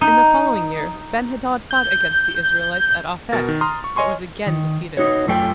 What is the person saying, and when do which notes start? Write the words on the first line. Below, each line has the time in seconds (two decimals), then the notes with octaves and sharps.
In the following year Ben-hadad fought against the Israelites at Aphek, but was again defeated.
0.01 D#4
1.71 G6
3.32 B2 A#4 A6
3.48 D#3
3.61 A#5 C6 D#6 F6
3.84 C#6
3.96 C#5 D#5 G#5 C6 C#6
4.46 D#3
4.97 D#4 F#4 C#5
5.27 F#2 F3 A3 G#4 G5